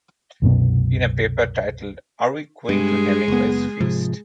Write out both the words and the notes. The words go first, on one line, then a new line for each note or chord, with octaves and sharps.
In a paper titled Are We Going to Hemingway's Feast?
C2 F#2 B2 B3
G2 G#3 G#4
F#1 B3
G#2 C3 F3